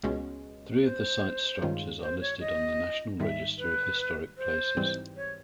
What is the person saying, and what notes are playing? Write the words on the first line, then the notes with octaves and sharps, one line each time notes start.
Three of the site's structures are listed on the National Register of Historic Places.
C#2 B2 G#3 C#4
C5
G2 D#3 G#3 C#4 F4
C5
C#5
D#5
G#2 D#3 G3 E5
B4
C5
G#2 E3 G3 C4
C#5